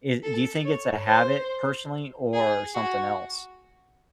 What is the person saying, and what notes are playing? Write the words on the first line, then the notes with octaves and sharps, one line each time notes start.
I Do you think it's a habit, personally, or something else?
A4
C#5
C5
G#4
F#4